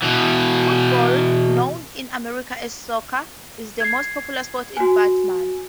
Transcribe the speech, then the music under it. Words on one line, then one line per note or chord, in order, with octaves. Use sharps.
Football, known in America as soccer, is the most popular sport in Batman.
B2 E3
G#6 C7
F#4 G#5